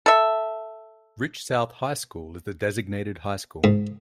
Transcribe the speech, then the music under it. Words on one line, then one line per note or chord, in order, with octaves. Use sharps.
Rich South High School is the designated high school.
A4 E5
G#2